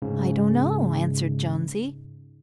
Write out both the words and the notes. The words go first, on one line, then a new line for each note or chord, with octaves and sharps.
"I don't know," answered Jonesy.
G#2 C#3